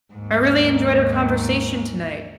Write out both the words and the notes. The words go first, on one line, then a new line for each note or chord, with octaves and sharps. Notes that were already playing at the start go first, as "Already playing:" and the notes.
I really enjoyed our conversation tonight.
D#2 G#2